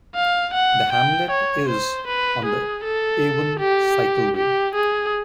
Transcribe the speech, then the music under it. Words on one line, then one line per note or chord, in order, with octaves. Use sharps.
The hamlet is on the Avon Cycleway.
F5
F#5
G5
C#5
C5
B4
G#4
A4
G4
G4
G#4